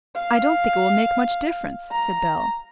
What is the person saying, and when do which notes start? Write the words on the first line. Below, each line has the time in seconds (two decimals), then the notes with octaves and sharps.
"I don't think it will make much difference," said Bell.
0.16 F5
1.92 A#5